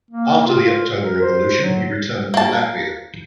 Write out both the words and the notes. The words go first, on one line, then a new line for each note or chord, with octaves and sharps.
After the October Revolution, he returned to Latvia.
A#3
F4
F4
A#4
C5
F#3
A#3 A5